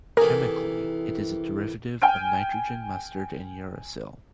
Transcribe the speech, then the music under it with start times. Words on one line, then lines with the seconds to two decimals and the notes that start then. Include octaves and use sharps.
Chemically it is a derivative of nitrogen mustard and uracil.
0.17 C3 D#3 E3 A3 G#4 A#4
2.02 G5 G#5 F6 G6 D7